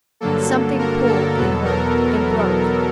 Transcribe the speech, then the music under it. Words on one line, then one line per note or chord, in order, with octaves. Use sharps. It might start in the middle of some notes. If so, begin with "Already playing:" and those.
Something pulled in her--and broke.
G2 D3 F#3 A#3 A4
A#4
A4
E2 B2 F#3 B3 A4
A#4